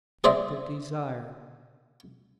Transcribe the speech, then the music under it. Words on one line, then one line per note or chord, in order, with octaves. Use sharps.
Act of Desire.
G#4 C5 D5 E5